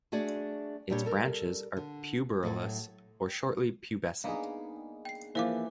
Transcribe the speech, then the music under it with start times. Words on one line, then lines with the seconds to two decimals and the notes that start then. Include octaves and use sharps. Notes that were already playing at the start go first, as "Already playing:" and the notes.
Its branches are puberulous or shortly pubescent.
0.12 A3 D4 F#4 G#4 D5
0.90 A#2 G3 D4 G4 B4 C#5
1.05 G3 A4 A#4
1.77 D3
2.43 A2 F#3 A4
4.24 A#3 B3 D4 D#4 G#4
5.05 G5 C7
5.35 E3 F3 A#3 C5 F5 D6